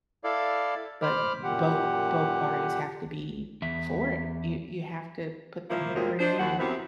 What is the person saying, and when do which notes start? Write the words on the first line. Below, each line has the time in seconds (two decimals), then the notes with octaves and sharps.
but both both parties have to be for it. You you have to put that effort in,
0.24 E4 A4 D5 F5
1.02 C5 B5 D6 F6
1.43 F#2 A#2 G4 F#5
3.62 E2 E5 B6
5.70 F3 A#3 E4
5.95 F2 G#2 C3 F#3 G#3 A#3
6.19 D4 C5 D#5
6.39 D#2 F#5
6.59 F#2 C3 B3 C4 E4